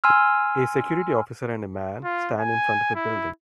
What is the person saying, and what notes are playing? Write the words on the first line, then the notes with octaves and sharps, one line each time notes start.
A security officer and a man stand in front of a building.
G#5 C6 E6 F6
F4
G#5
E4